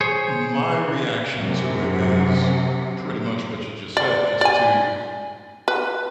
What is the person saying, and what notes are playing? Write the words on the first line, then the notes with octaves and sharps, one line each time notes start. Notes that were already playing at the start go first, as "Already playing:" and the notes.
my reaction to it is p pretty much what you just said, just to
G#4 C5 C#5
F#2 C3
D5
D5 G#5
B4